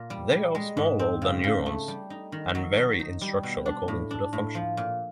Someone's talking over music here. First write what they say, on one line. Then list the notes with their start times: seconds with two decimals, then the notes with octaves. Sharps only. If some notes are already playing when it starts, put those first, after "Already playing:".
They are smaller than neurons, and vary in structure according to their function.
Already playing: A#2
0.10 G3
0.32 G3
0.55 G#3
0.77 G#2
0.99 C4
1.22 C#3
1.44 C#3
1.66 A3
1.88 G3
2.10 D#4
2.32 D#3
2.55 F#3
2.77 F#3
2.99 D#4
3.21 G3
3.43 B2
3.66 D4
3.88 A2
4.11 D4
4.33 A2
4.55 F3
4.77 A#2